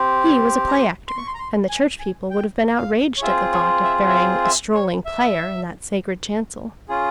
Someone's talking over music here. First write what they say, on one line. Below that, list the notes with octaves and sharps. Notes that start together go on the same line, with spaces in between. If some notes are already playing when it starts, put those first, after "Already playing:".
He was a play-actor, and the church people would have been outraged at the thought of burying a "strolling player" in that sacred chancel.
Already playing: C4 G4
A#5
C6
C6
C#6
C6
A#5
C6
G#5
G#5
G5
F5
C#5
C4 F4 G#4 E5
C#5
E5
E5
F5
E5
C#5
E5
C#4 F4 G#4